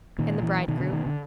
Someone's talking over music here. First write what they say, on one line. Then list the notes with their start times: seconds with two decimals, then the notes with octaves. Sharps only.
"And the bridegroom?"
0.18 A#2 D#3
0.43 E3
0.68 B2 D#3
0.80 D3
0.93 D#3
1.06 D3